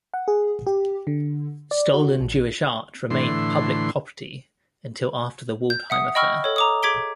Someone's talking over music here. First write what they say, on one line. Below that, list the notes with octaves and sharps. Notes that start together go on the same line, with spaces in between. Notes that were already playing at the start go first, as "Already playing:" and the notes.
Stolen Jewish art remained public property until after the Waldheim affair.
F#5
G#4
G4
D3
D5
F#4
A#1
A2 D3 E3 C6
G6
E5 F#5 D#6
D#5 G5 B5 C#6 E6 F6
A4 C#5
A#5 D6 D#6
G#4 D6 G#6 B6 D7 G7